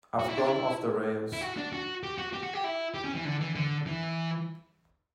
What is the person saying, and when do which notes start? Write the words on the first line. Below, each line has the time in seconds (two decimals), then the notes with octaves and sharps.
I've gone off the rails.
0.19 F#4
0.28 E4
0.38 D4
0.47 E4
1.33 E4
1.41 F#4
1.57 D4
1.72 F#4
2.03 G4
2.18 F#4
2.33 G4
2.43 F#4
2.54 G4
2.64 E4
2.94 G4
3.04 C#4
3.15 E3
3.25 D3
3.41 E3
3.55 D3
3.86 E3